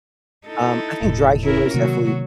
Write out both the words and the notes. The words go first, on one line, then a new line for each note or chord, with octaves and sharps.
um, I think dry humor is definitely
D#4 E4 A4
E1 A2
C#4 E4 A#4
C3 D#3 F#3 A#3 F#4